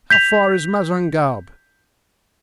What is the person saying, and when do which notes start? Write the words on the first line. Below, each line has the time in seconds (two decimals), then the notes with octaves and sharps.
"How far is Mazingarbe?"
0.10 G6 B6 F7